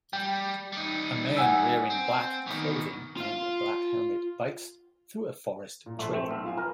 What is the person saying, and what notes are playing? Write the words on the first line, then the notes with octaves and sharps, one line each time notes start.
A man wearing black clothing and a black helmet bikes through a forest trail.
G3 G5
G3 D#4
F#5 G#5 E6
C4
B2 D#3
F4 F5
A#2
A#1 A3 C6
A3 C4 C5
B1
F4 F5 G#5
A#4 B4